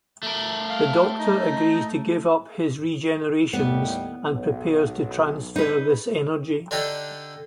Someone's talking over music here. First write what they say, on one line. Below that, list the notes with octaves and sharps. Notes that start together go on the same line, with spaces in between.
The Doctor agrees to give up his regenerations and prepares to transfer this energy.
A3 A#4
F5
D#4
D#2 A2 G3 B3
B1
D#4 B4
D3 D4 D#4 G4 A4